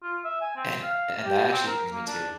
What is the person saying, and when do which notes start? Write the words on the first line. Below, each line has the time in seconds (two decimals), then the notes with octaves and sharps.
and and that actually brings me to
0.02 F4
0.24 E5
0.41 G#5
0.56 C4
0.83 F5
1.25 G4
1.52 C4
1.67 A#4
1.92 A#3
2.07 D4